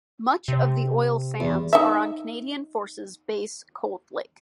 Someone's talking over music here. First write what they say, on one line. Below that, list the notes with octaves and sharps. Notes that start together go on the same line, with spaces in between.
Much of the oil sands are on Canadian Forces Base Cold Lake.
C3
E2
D#4 E5